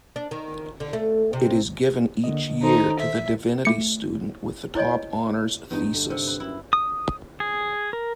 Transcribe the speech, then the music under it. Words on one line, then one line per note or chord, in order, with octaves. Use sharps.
It is given each year to the Divinity student with the top Honours Thesis.
D4
D#3
D3
A3
C3
D3 A#3 D#5
D#3 D#4 A4 C5
E5
A3 C#7
E4 C5 C#5 D#5 G#5
E2 G2 D#4
D3
C3
B4
F#2 E4
D#6
G#4
A#4